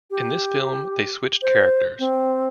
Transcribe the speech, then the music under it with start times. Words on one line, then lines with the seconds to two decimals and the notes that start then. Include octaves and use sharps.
In this film, they switched characters.
0.11 G4
1.42 C5
1.99 C4